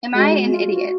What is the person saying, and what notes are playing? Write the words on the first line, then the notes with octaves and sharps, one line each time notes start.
Am I an idiot?
G#3 F#4
F#4
F4
F#4